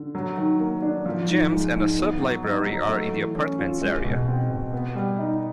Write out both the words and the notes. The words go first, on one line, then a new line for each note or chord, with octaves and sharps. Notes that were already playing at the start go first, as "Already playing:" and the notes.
Gyms and a sub-library are in the apartments area.
Already playing: D3
F#3
D#3
A#3
D4
F3
G#2
G#3
G#2
B3
F#3
D#4
F#3
A3
E3
C#4
F4
G#3
B2
C4
B2
B3
G3
D#4